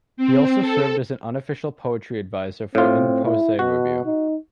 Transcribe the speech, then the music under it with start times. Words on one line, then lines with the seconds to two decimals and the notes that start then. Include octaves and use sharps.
He also served as an unofficial poetry advisor for "In Posse Review".
0.17 C4
0.61 A4
2.75 A2 C4 F4
3.25 E4
3.59 B2 F#4
4.05 D#4